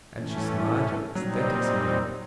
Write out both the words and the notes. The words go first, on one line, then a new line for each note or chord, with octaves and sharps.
And she smiled her ecstatic smile.
A2 E3 A3 C#4
A#2 F#3 G3 C4 D#4